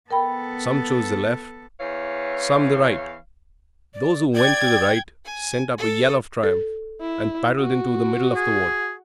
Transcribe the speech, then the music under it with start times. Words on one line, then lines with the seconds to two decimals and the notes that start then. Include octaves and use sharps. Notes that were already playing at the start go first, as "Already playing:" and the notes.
Some chose the left, some the right; those who went to the right sent up a yell of triumph, and paddled into the middle of the water.
0.11 B3 A4 A#4 G5 B5
1.80 E2 E3 C#5 F5
3.94 D5
4.35 D5 G5 G#6
5.25 G#5
5.78 A4
6.43 A4
7.01 E4
7.60 F#4
8.36 G#4